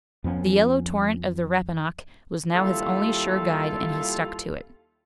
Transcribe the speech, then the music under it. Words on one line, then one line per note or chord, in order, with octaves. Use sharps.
The yellow torrent of the Rappahannock was now his only sure guide and he stuck to it.
F2 F3 B3 C#4
D#2 G3 E4 F4 A4 F5